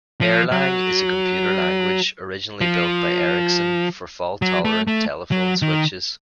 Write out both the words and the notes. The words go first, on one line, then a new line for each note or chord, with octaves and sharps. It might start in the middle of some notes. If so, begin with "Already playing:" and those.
Erlang is a computer language originally built by Ericsson for fault-tolerant telephone switches.
F3
F#3
F3
F#3
A3
A3
F#3
D#3